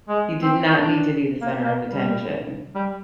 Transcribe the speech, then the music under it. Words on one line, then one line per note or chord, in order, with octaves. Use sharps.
He did not need to be the center of attention.
G#3
C4
D4
A#3
A#3
G3
G3